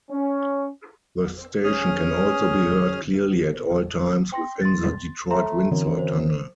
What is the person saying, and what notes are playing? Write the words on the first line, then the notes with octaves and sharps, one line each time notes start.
The station can also be heard clearly at all times within the Detroit-Windsor Tunnel.
C#4
C#4 G#4 D#6 F6
G5 C6 A#6
C6 A6
A3 E5 A#5 C6
F#2 D3 E3 C4
C5